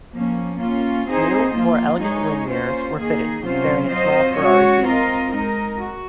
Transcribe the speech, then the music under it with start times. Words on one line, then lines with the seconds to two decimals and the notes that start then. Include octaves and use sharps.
New, more elegant wing mirrors were fitted, bearing a small Ferrari shield.
0.12 F3 A#3 C#4
0.59 A#3 C#4 F4
1.06 C4 D#4 G#4 C5 D#5
1.54 F3 A#3 F4
2.00 G#3 D#4 G#4 C#5
2.48 A#3 C#4 F4 C5
2.95 D#3 A#3 D#4 G#4
3.43 C3 F#3 C#4 F4 C5
3.89 F#3 C4 F4 C5 D#5
4.36 G#3 C#4 F#4 C#5
4.84 C4 F4 A#4 D#5
5.32 G#3 D#4 A#4 D#5
5.79 F#4